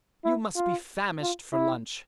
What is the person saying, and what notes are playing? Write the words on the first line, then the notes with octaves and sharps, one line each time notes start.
You must be famished for lunch.
E4
F4
F4
E4